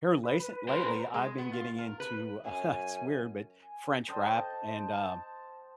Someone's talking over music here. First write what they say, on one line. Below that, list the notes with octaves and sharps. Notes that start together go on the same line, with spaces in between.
here, lasely lately, I've been getting into, uh, it's weird, but French rap and, um,
B4
A#4 C5
G#3
B3
F4
A#4
B4
F#2 G#5
G#5
C5 D#5 G5 A5